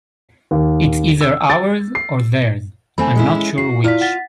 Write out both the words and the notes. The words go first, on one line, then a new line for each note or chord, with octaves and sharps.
It's either ours or theirs, I'm not sure which.
D#2
E6
A6
C7
A3 C4 G#5 B5
G#3 C#4 E4
F#4 C7
E4 F4 D5 F5 B6
F#5 A6 B6